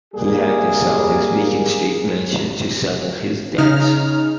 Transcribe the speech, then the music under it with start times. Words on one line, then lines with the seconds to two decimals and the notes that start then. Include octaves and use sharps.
He had to sell his Beacon Street mansion to settle his debts.
0.14 G3 A#3 G#4
3.58 C#3 D#4 F6